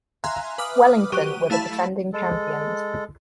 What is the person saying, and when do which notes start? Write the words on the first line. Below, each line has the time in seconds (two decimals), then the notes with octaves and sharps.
Wellington were the defending champions.
0.24 E5 F5 G#5 A#5 C6 F#6
0.58 B4 D6 D#6 F6
1.12 F#3 G4 D#7
1.50 A3 E4 F5 A5 B5
2.13 G#3 A4